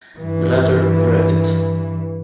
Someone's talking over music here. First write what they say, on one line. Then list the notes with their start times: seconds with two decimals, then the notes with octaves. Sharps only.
The latter directed.
0.18 G2 E3